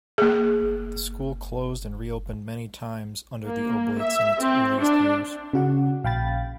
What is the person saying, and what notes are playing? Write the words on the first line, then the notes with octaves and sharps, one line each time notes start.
The school closed and re-opened many times under the Oblates in its earliest years.
A#3 G#4
A#3
E5
C4
D4
C#3 F#4 F#5
A#1 F5 G5 B5 A6